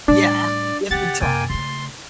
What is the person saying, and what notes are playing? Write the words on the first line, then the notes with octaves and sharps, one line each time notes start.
Yeah, if you tried.
A2 G3 D4 D5
C#3 C#4 G4 F#5 A6
F#2 C3 A#3 G5 G#5
C#3 A3 C6